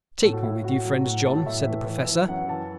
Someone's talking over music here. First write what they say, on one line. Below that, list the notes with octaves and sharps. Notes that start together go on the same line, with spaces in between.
"Take me with you, friend John," said the Professor.
A2 A4
F#4
A2 E4
A2 F#4
F#3
A2 F#5
A2 A5
A2 E5
E3
E3
E3
F#2 F#5
E3 A5